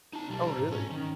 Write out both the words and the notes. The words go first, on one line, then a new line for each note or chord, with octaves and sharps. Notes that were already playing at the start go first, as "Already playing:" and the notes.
Oh, really?
D#4 A5
B1 G3
C5 A#5
G#2
C#4
D#3